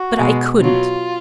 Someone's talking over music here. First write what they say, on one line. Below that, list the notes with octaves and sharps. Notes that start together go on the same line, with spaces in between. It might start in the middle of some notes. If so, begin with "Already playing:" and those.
But I couldn't!
Already playing: F#4
B2 G#3
B2 F#3 F4